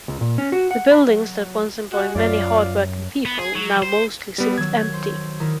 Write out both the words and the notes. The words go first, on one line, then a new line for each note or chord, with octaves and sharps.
The buildings that once employed many hard-working people now mostly sit empty.
C#2
A#2
C#4
F#4
F#5
B5
F#3
G#3 F#4
F#2 F4 D5
B3
G#4
F#3
C5
G3 B3
D#3 F#3 E6 G#6
C5
D#3 E4 A#4